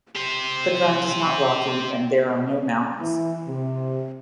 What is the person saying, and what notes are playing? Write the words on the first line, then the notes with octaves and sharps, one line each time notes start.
The ground is not rocky and there are no mountains.
G4 C5
E3
C3